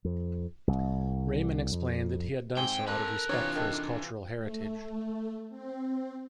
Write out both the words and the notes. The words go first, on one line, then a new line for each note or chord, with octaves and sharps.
Rahmon explained that he had done so out of respect for his cultural heritage.
F2
C2
F2
G#2 C4 G5 G#5 G7
A4 A#4 B5 F#6
C3 E3 D4 F4 C#5 A#5
D#3 A3
A3
C4